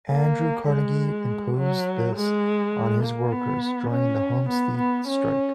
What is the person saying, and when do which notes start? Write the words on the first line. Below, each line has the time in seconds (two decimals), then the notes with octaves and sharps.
Andrew Carnegie imposed this on his workers during the Homestead Strike.
0.11 A#3
0.69 G#3
1.57 F#3
2.16 G#3
3.04 A#3
3.32 B3
3.91 C#4
4.49 B3
4.78 B3
5.08 C#4